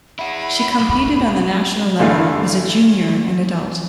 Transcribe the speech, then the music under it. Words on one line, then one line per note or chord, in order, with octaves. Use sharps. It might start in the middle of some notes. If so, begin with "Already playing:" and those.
She competed on the national level as a junior and adult.
E4 F#5 B5
B1
A1 G2 D3 E3 A3 F5